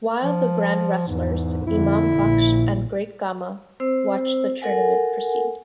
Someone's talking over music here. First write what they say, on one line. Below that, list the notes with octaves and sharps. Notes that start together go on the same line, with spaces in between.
While the Grand Wrestlers, Imam Baksh and Great Gama watched the tournament proceed.
F3
E2 G#2
F2 D3 E4
A#1
C4 C5 E6
A4 A#4 F#5 G#5